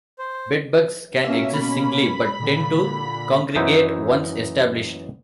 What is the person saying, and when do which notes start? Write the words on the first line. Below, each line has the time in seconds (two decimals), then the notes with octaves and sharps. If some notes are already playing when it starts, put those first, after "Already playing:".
Bed bugs can exist singly, but tend to congregate once established.
0.19 C5
1.24 B2 A#3 C#4 E5
1.54 B5
2.39 A#2 D3
3.56 F#2 E3 D#4 C5 E5